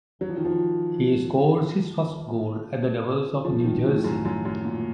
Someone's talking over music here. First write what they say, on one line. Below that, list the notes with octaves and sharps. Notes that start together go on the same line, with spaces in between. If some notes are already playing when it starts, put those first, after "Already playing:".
He scores his first goal at the Devils of New Jersey.
F#3
F3
D#3
F3
F3
D#3
A2
F#2
F#2
F#2
A#2